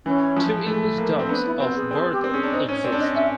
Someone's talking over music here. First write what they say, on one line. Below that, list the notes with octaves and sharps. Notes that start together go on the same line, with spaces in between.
Two English dubs of "Birth" exist.
E3 C#4
F3
A3
A#3
C4
B3 D4
E4
C4 F#4
G#4
C4 G#4
G4
C4
C#4 G#4
D4
D#4 C5
C#4 C#5
C4 D5
D4
C#4 D#5
C#4 E5